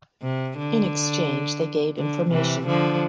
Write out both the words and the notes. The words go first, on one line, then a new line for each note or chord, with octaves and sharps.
In exchange they gave information.
C3
D3
D3
C3 E3
D3 F3